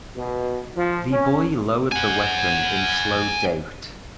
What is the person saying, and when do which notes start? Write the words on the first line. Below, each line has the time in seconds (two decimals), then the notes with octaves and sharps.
The boy lowered the weapon in slow doubt.
0.17 B2
0.76 F3
1.12 C#4
1.92 F#5 G#5